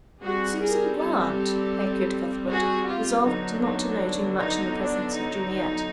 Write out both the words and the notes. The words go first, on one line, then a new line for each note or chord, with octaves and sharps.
"Susan Grant!" echoed Cuthbert, resolved not to know too much in the presence of Juliet.
G3 C4 F#4 G#4
G#4 A#4
G4 A4
F#4 G#4
F4 G4
D3 F#3 B3 D4 D#4
D#4
D#4
D4
D#4